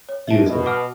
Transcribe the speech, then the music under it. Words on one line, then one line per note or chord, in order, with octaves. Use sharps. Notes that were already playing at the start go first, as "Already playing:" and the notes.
You as well.
C#5
E5 A5
B2 D#5
F#5 A5 D6 F6